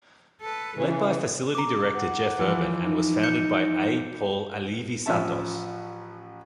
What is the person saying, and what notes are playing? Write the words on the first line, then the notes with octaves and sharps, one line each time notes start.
Led by Facility Director Jeff Urban and was founded by A. Paul Alivisatos.
A4 B4
C#3 E3
A#5 D6
F#5
E3 F3
D#4
G6 C#7
A1 F3 C#4 E5 A5